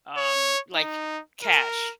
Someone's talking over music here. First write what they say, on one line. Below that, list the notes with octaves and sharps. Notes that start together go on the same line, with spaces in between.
Um, like, cash,
C#5
D#4
A#4